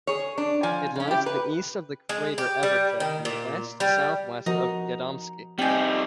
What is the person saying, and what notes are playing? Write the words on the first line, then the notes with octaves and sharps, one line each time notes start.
It lies to the east of the crater Evershed, and west-southwest of Gadomski.
G#4 C#5
D4
F3 G#5
C#3 C#4
E4 G4
B4
G#3
G4
G3
D#3
A#2
G3
F3 D#4 F#4 A#4
G3 C4 D#4 G5 G#5